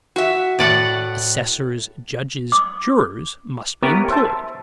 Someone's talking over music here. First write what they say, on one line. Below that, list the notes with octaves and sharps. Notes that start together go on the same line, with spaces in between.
Assessors, judges, jurors, must be employed.
F#4 E5
A2 D5 F#5
D6
B3 E4 G4 A#4 B4 C#5
C5 E5 A5